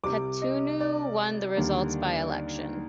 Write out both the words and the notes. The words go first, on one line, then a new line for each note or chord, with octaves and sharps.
Katuntu won the resulting by-election.
C2 C3 G3 D6
D#5
D5
D#2 D3 G3 A#3